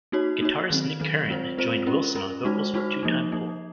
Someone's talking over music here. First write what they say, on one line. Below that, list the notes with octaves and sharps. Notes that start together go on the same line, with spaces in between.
Guitarist Nick Curran joined Wilson on vocals for "Two Time Fool".
A#3 D#4 F#4 C#5
A#3 D#4 F#4 C#5
D#3 F#3 C4
D#3 F#3 C4
G#3 C4 F4 C5
G#3 C4 F4 C5
C#4 F4 A#4
C#4 F4 A#4
G#3 D#4 F#4 C5
G#3 D#4 F#4 C5
F3 A#3 D#4
F3 A#3 D#4